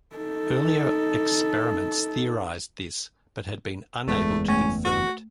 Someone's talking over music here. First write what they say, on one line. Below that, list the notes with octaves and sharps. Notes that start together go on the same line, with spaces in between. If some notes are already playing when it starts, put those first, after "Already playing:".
Earlier experiments theorized this but had been unable to confirm it.
D#4 A4
F#1 E2 G#3 A3
A3 C#4
F#4